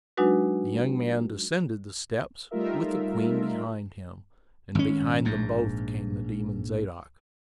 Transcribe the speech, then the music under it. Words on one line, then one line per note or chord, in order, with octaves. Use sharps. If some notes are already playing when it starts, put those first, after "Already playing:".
The young man descended the steps with the queen behind him, and behind them both came the Demon Zadok.
F#3 G#3 D4 D#4 F#4 B4
G3 A3 D#4 F4 A#4 E5
G#1 C#4
A#1 G#2